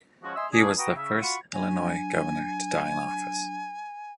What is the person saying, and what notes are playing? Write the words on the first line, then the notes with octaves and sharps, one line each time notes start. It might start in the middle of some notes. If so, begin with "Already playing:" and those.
He was the first Illinois Governor to die in office.
F3 G#3 C#4 F#4
D#5 E5 G#5 C6 D#6 E6
D4 G#4
F#4 B4 G5 A#5 D#6
C#3 E5
F4 F#4 F#5 B5 C#6
F#3 D4 G#5